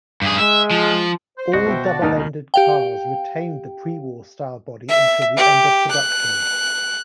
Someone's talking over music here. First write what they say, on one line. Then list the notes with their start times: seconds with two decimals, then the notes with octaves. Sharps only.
All double ended cars retained the pre-war style body until the end of production.
0.22 G2 G#4
0.38 G#3 E5
0.71 F3
1.38 C5
1.53 C2 F#4 D#5
1.66 B2 E5 G5
1.85 D5 F#5 A5
2.02 D#2 G#2 C#3 D#4 F6
2.15 C#2 B2 D#3
2.54 G4 F5 G5
4.89 E5
5.36 G4
5.91 F#6